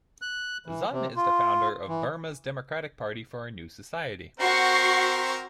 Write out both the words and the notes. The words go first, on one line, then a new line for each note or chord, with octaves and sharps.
Zun is the founder of Burma's Democratic Party for a New Society.
F#6
E3
C3
F4
E3
C4 F#4 A#4 C5 C#6 C7